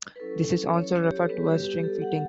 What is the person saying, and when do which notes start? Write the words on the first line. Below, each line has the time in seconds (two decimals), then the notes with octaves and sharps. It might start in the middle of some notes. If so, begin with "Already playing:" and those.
This is also referred to as shrink-fitting.
0.16 B4
0.20 F#3 C#4 E4 A4
0.74 C#5
1.04 G4
1.16 A4
1.28 G3 B3 F#4 B4
1.47 G4
1.65 G4
1.79 G4
1.83 A4
2.02 F#5